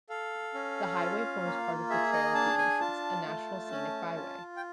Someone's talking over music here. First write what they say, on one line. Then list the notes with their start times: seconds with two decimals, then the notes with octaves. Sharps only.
The highway forms part of the Trail of the Ancients, a National Scenic Byway.
0.10 A4 F5
0.54 C#4
0.99 F4
1.45 A#3
1.90 G#4 E5
2.13 D#5
2.35 D4 A5
2.58 G#5
2.80 F4 A5
3.26 A3
3.70 C#4
4.16 F4
4.56 G5